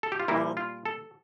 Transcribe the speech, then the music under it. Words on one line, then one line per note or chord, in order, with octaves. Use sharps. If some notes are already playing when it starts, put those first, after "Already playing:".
Um, y
A4
G4
F4
A#2 G3 A#3 E4
F4
A4